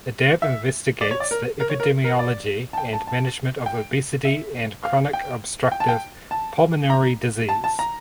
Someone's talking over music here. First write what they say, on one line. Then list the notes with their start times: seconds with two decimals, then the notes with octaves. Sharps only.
Adab investigates the epidemiology and management of obesity and chronic obstructive pulmonary disease.
0.42 E5
1.01 D5
1.11 C#5
1.20 D5
1.31 A#4
1.60 A#4
1.70 C#5
1.80 A#4
2.04 A#4
2.19 D5
2.73 A5
2.78 G5
2.93 A5
3.07 A5
3.66 G5
4.25 E5
4.84 F5
5.13 G5
5.72 G5
5.80 A5
5.89 G5
6.31 A5
6.90 A#5
7.49 A5
7.64 A5
7.79 A#5